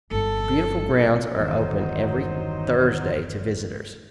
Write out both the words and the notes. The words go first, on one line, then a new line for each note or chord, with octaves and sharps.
The beautiful grounds are open every Thursday to visitors.
G1 G2 A4
B1
G1 E2 D#3 F#3 D#4 C5